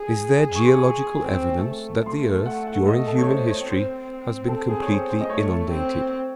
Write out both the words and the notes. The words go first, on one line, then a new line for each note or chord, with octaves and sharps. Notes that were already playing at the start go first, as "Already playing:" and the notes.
Is there geological evidence that the earth, during human history, has been completely inundated?
Already playing: G#4
C#6
C6
C#6
C4
A3
C6
F#5
F#5
D#5
A4
C#5
C5
C#5
C4 C5
A4
G#4
C#5
C5
C5
D#5
A3 C#5
C4